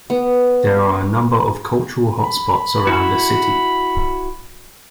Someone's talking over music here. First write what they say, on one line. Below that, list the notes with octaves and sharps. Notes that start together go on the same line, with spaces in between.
There are a number of cultural hot spots around the city.
B3
B5
E4 F#4